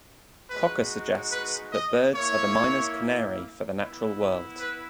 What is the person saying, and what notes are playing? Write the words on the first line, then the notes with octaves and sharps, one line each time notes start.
Cocker suggests that birds are the miner's canary for the natural world.
G#3 D#4 F#4 B4
B4
D#5
A#3 E4 C#5
B3 E4
B4